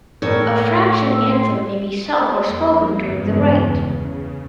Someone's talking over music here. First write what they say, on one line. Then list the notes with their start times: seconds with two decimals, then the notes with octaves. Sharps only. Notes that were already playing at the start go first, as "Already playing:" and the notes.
A Fraction Anthem may be sung or spoken during the rite.
0.22 A2 A4 A#4 C#5
1.10 E6
1.31 C6
2.44 F2 A#3
3.07 E2 G2 C#3 G#3
3.47 C#3